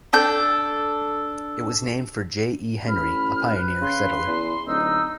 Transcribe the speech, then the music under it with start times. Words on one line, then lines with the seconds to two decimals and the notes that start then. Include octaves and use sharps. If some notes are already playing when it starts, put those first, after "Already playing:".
It was named for J. E. Henry, a pioneer settler.
0.13 D4 A4 G6
2.88 A1 B5 F6
3.42 B4
3.82 C#3 C6
4.27 E2
4.67 D1 D#4 E6